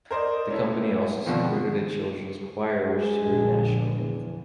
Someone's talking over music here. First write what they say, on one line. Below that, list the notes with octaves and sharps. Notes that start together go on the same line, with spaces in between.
The company also supported a children's choir which toured nationally.
A#4 C5 D5 D#5
C#4 E4 A4
B2 D3 D#3 F3 B3 C4
G#3
A#1 D3
E2